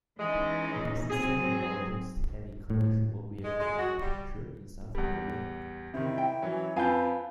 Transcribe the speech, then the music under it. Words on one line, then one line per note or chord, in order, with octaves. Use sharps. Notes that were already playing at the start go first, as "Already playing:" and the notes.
It is the second-largest heavy commercial vehicle manufacturer in South Korea.
E3 G#3 C#4 D#4
F#3 C4 G#4
A2
G#3
G#3
F#4
G3
E2 G3
C3 D#3 E4
G5
E3 F#3 C#4
F2 F4 B4 F5 G#5 A5 G6